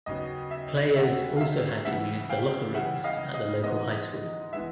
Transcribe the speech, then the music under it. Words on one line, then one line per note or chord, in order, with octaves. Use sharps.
Players also had to use the locker rooms at the local high school.
D#2 C#3 F#3 B3 D#5
E5
D#2 C#3 F#3 B3 E5 F#5
F5
E5
C#2 C#3 E3 G3 E5 F#5
F5 G5
C#2 C#3 E3 G3 E5 F#5
D#5 F5
D#5
G#2 E3 G#3 B3 D#5
E3 G#3 B3 E5